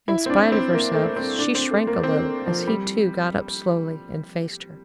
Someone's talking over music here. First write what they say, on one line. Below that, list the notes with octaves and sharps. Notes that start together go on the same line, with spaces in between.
In spite of herself she shrank a little as he, too, got up slowly and faced her.
E4
C4
D4
C4
A#3
A3
C4
D4
C4
A3
A#3
C4
F3
G3